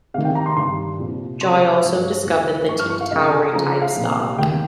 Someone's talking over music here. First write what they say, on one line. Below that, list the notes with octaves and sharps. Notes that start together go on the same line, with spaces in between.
Joy also discovered the T-Tauri type star.
C2 C3 D#3 F5
G5
A#5
C6
G2 D#3 C6
C2 A#2 F3
C#2 C3 F3 C6
C#6
G2 F3
D#2 C#3 F3
G2 F3 C#6
F6
C#6
F5
C#2 C3 F3 D#5
G#5
C#2 C#3 F3 A#5
F5
C2 A#2 F3
D#2 D#3 G5